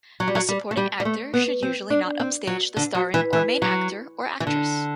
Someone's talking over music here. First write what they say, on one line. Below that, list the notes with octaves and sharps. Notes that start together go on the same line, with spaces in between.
A supporting actor should usually not upstage the starring or main actor or actress.
F#3
G3
F#3
G3
A3
G3
G3
A3
B3
C4
D4
C4
F#3
D3
F#3
E3
E3
F#3
E3
D3